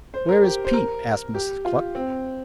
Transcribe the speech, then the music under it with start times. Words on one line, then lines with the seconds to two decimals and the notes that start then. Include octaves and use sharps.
'Where is Peep?' asked Mrs. Cluck.
0.14 C5
0.29 A#4
0.44 G4
0.65 C5
0.74 A#4
1.34 G4
1.65 F4
1.95 C4